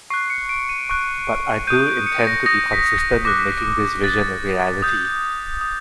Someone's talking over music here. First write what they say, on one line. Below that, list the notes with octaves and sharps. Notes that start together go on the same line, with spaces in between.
But I do intend to be consistent in making this vision a reality.
C#6 F#6 C7
C#7
D7
D#7
C#6 F#6
D#6 G6 D#7
D7
C#7
A#6
D#6 G6 A#6
B6
A#6
D6 F#6 A#6
B6
A#6
D6 F#6 A6
D#6 G6
D#6